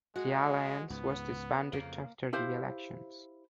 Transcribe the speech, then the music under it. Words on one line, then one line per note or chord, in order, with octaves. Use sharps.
The alliance was disbanded after the elections.
G#3 F#4
C#2 G#2 B3
F2 C#3 A#3
E4 G4 C5 F5